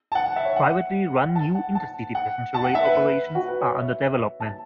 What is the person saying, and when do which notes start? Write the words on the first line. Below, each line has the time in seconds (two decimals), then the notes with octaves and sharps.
Privately run new inter-city passenger rail operations are under development.
0.12 A5
0.15 F#5
0.26 F#5
0.36 E5
0.45 C#5
0.56 F#5
1.30 F#5
1.35 A5
1.55 F#5
1.75 A5
2.15 F#5
2.54 A5
2.64 F#5
2.75 E5
2.85 B4
2.95 B4
3.35 F#4
3.48 B4
3.61 C#5
3.75 E5
4.40 A5